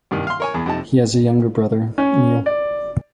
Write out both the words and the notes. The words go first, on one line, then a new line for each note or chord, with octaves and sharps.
He has a younger brother, Neil.
C2 G2 D#3
F5 C6
A#4 C#5 G#5
E2 G#4
F2 C3 D#4 A5
C#4
D5